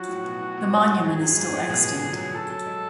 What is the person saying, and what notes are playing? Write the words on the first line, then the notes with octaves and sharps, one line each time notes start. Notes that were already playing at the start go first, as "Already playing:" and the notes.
The monument is still extant.
Already playing: F3 F#3 F#4
A2
B2
A2
B2
G#2
A2
G#2
F2 G#4
F#2
G#2
A2
B2
D3
F#3
F#3 A4
F#3
G#3